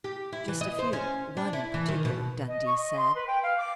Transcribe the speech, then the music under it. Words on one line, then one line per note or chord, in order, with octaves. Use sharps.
"Just a few--one in particular," Dundee said.
G4
E4
E3
D#5
C5
C#4
D4
E4
E3
D#3
B2
D#5
C#6
D#5
C6
B4
G5
F5
D6